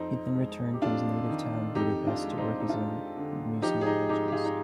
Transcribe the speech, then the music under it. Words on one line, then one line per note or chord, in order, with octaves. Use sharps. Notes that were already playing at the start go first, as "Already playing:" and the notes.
He then returned to his native town Budapest to work as a museologist.
Already playing: F2 C4 D#4
G#3
G4
F2 D4 F4
D#3
F2 D#4 G4
D4 F4
G#3
C4 D#4
D#4
G#3 D4 F4
D3
F3 D#4 G4
G#4
D#4 G4
G#2 D#4 G4
G4
F4 G#4
D#4